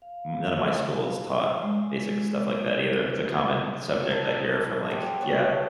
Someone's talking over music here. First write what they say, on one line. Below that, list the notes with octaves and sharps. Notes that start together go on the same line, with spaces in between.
m none of my schools taught basic stuff like that either, if it's a common subject I hear from, like Yeah
F5
G#3
A3 B3
D#4 F4 A4 D#5
G#3 A#3 F#4 G4
B3 A4 C#5